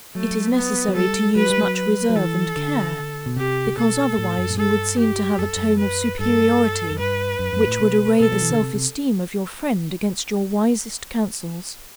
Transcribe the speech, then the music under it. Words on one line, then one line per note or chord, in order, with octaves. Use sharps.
It is necessary to use much reserve and care, because otherwise you would seem to have a tone of superiority which would array the self-esteem of your friend against your wisest counsels.
F#3 A3
B3
F#3
G3 A4
F#3 B4
G3
F#3
B4
F#3
E3 A4
D3
B2
C3 G4
B2 A4
A2
F#2
A2
G2 A4
G4
F#2 A4
F#2
B4
G2 A4
F#2
G2 B4
F#2
F#2
A2
B2
B2 A4
F#3
E3
D3
C3
C3